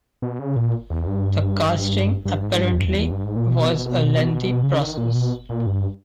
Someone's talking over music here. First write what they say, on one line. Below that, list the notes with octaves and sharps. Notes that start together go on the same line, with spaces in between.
The casting apparently was a lengthy process.
B2
C#3
A#2
E2
G2
G2
G#2
G2
E2
G2
E2
E2
G2
G#2
A#2
B2
C#3
D#3
A#2
B2
A#2
G2